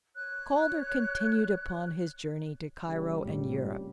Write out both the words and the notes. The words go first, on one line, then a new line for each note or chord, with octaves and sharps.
Calder continued upon his journey to Cairo and Europe.
C#5 F#6
A#1 C#3 G3
A2 C3